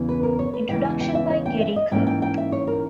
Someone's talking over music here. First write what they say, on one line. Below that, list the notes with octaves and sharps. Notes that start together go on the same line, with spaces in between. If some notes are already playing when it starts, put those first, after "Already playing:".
Introduction by Gary Kern.
Already playing: E2 C#3 E3
B4
A#4
C#5
B4
E2 C#3 E3 G#3 G5
G#5
G5
E5
C#5
G5
E5
D#5
G#2 E3 A#3 C#4 G5
G5
G5
E5
C#5
A#4